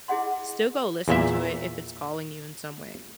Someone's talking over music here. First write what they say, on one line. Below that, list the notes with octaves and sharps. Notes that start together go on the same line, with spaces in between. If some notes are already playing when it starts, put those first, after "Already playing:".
still go listen to it if it's calling you in some way.
E4 G#4 D#5 F#5 C6
E2 A#2 E5